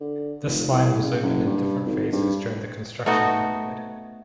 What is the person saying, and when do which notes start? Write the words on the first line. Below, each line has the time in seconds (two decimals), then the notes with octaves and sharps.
This line was opened in different phases during the construction period.
0.01 D3
0.46 F1
0.70 C2
1.04 C#3
1.23 F#1
1.46 G2
1.85 G#1
2.12 G2
3.06 A3 B3 D#4 F#4